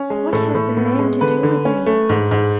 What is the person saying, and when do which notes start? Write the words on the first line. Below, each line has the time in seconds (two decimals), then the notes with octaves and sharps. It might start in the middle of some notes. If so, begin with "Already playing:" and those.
What has the name to do with me?
Already playing: C#4
0.10 G#3
0.33 A2 A4
0.55 A2
0.77 B3
0.99 G#3
1.21 D3 B4
1.43 D3
1.65 C#4
1.86 A3
2.09 G#2
2.31 G#2